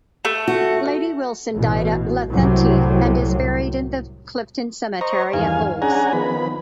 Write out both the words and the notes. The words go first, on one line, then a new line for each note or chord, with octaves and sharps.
Lady Wilson died at Lethenty and is buried in the Clifton Cemetery at Bulls.
A3
F#4
A1 B2
C2 A2 C3 F#3
C5 D#5 A#5 C#6
E2 G2 D#3 F5 G#5
C#4 D4 G#4 F#5 G#5 A#5
D#3 F3 B3 B5